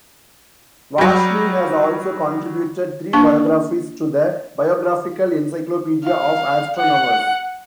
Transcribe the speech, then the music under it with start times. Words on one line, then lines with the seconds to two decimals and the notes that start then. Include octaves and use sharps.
Varshni has also contributed three biographies to the "Biographical Encyclopedia of Astronomers".
0.98 F#3 G3
3.13 A#3 D4 C#6
6.04 F5
6.77 F#5